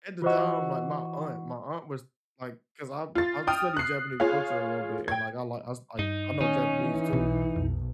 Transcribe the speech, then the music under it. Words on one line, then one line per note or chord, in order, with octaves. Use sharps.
at the time, like, my aunt my aunt was, like 'cause I I studied Japanese culture a little bit, and like I li I like I know Japanese too,
E3 F4 F#4 C5 D#5
F4 A6
G5 D#6 F6
F#6 C7
F4 G#4 C#5 F5
G5 G#6
G2 D#4
D#3 C#4 D#4
E3
B1 B2
B1 F2